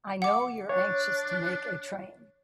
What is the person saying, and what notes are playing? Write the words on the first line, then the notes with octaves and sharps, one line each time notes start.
I know you're anxious to make a train.
F#5 D6
D4 C#5